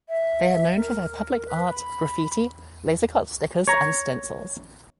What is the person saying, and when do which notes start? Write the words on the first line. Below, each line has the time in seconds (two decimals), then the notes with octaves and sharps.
They are known for their public art, graffiti, laser-cut stickers and stencils.
0.09 E5
0.76 A#4
1.46 B4
1.70 B5
3.68 C#5 A#5